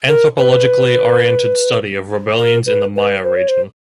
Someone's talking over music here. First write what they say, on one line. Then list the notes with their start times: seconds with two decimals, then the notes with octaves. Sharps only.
Anthropologically oriented study of rebellions in the Maya region.
0.08 A#4
0.38 B4
2.38 A#4
2.66 B4
2.96 B4
3.24 C5
3.36 C#5
3.48 C5